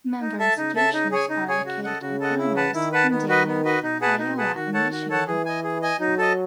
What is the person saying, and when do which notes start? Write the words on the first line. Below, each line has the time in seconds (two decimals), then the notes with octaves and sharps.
Member institutions are located in Illinois, Indiana, Iowa, and Michigan.
0.21 D#4
0.39 A4 E5 A5
0.57 C#3 D#4
0.75 A4 E5 A5
0.93 D#4
1.12 G#4 C#5 G#5
1.29 C#3 D#4
1.48 G#4 C#5 G#5
1.66 F#4
1.84 A4 D#5 F#5
2.02 C#3 F#4
2.20 A4 D#5 F#5
2.38 E4
2.56 B4 F#5 A5
2.74 D#3 E4
2.92 B4 F#5 A5
3.11 D#3 B3
3.29 F#4 B4 D#5
3.47 B3
3.65 F#4 B4 D#5
3.83 B2 D#4
4.01 G#4 B4 F#5 A5
4.19 D#4
4.37 G#4 B4 F#5 A5
4.56 D#3 F#4
4.74 A4 C#5 F#5 A5
4.92 F#4
5.09 A4 C#5 F#5 A5
5.27 E3 G#4
5.46 D#5 G#5
5.64 G#4
5.82 D#5 G#5
6.00 F#3 D#4
6.18 A4 D#5